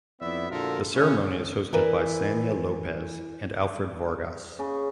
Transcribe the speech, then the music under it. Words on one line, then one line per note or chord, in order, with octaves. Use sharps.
The ceremony is hosted by Sanya Lopez and Alfred Vargas.
F2 B3 E4 D5 E5
A#1 D3 F4 F#4 A4 A#4
C#3 E3 A#3 C#4
E3 E4 A#4 B4 D5
C#3